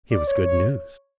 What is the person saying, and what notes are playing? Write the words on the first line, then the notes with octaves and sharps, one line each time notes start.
It was good news.
D5
C#5
C#5